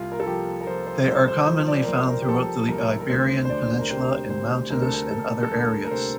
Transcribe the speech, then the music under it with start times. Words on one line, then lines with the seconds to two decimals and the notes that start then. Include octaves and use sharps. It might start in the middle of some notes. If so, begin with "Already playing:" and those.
They are commonly found throughout the Iberian peninsula in mountainous and other areas.
Already playing: C2 F4
0.12 A#4
0.20 A4
0.26 F3 G4
0.61 A#4
0.67 F3 C5
0.87 C5
1.07 C2 C5
1.28 C5
1.47 F3
1.67 D5
1.82 A#4
1.88 C2 C5
2.08 A#4
2.22 G4
2.29 F3 A4
2.68 C2 A#4
3.00 A#4
3.09 D2 C5
3.45 C5
3.49 D2 D5
3.79 A#4
3.90 C3 C5
4.30 D2 C5
4.70 D2 A#4
4.82 A4
4.93 A#4
5.10 D2 A4
5.43 A4
5.51 D2 A#4
5.85 A#4
5.91 C3 C5